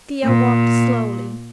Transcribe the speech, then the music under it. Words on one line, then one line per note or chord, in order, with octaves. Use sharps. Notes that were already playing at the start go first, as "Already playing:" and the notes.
Thea walked slowly.
A#2